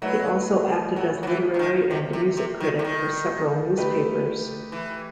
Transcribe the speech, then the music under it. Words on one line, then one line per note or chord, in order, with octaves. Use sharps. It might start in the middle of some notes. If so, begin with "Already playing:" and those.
He also acted as literary and music critic for several newspapers.
F#3 A3 E4 B4
F#3
F#3
E3
C3
D#3
C3
C3
C3
D#3
C3
D#3
A3 D#4 G4 B4
E3